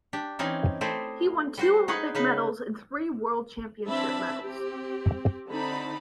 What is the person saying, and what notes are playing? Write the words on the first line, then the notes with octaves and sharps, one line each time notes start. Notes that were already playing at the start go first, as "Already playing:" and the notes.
He won two Olympic medals and three World Championship medals.
D4 G4
E3 C4 C#4 D#4
A3 C4 E4 C5 D5 D#5
G3 F#4 C5
D#4 G#4 B4 F#5
C#3 D#4 B4
E3 C4 D4 E5 A5 B5
C4 G4
D3 C4 D#4 A5 B5